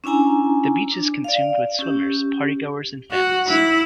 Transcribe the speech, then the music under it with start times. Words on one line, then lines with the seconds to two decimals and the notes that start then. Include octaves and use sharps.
The beach is consumed with swimmers, party goers and families.
0.04 C#4 D4 E4 G#5 A#5
0.92 D4
1.24 D5 F5
1.79 C#4 G4
3.11 F#4
3.47 E4